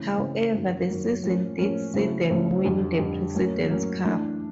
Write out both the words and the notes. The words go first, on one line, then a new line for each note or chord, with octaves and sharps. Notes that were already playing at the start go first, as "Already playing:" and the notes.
However, the season did see them win the President's Cup.
Already playing: C#3 E3 A3 C4
C#3 E3 A3 C4
F#2 D#3 F#3 A#3
F#2 D#3 F#3 A#3
A2 F3 A#3 C#4
A2 F3 A#3 C#4
C#3 F#3 A3 C4 E4
C#3 F#3 A3 C4 E4
F2 D3 G3
F2 D3 G3
A2 F#3 A#3 C#4
A2 F#3 A#3 C#4
E3 A3 D4